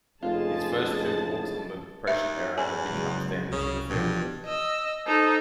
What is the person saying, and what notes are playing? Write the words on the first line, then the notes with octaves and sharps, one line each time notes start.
His first two books on the Depression era have become standards in the field.
F1 C#3 G#3 F4 G#4 A5
D#2 E5
E2 G#5
C#3 F#3 G#3
C2 C#3
G2 B2 E3 F3
D#5 E6
D#4 A4 C5